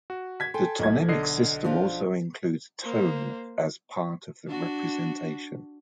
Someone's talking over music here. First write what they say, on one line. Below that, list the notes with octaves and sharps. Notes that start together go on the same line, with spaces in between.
The tonemic system also includes tone as part of the representation.
F#4
G#6 B6
A4 G5 G#5 C6
B1 A#2 G#6
D3 D#5 C7
F3 D4 F4
A#3 C5
D4 F#4